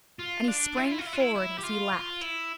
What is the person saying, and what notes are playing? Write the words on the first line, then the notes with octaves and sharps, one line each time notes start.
And he sprang forward as he laughed.
F4
D4
E4
F4
E4
F4
E4
F4
E4
E4
G4
F4
F4
E4